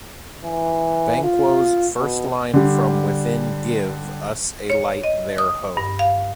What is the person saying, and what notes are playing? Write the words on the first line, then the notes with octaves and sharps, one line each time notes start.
Banquo's first line from within Give us a light there, ho!
E3
F4
B2
D3 G3
C#5
D#5
D#6
G2
F5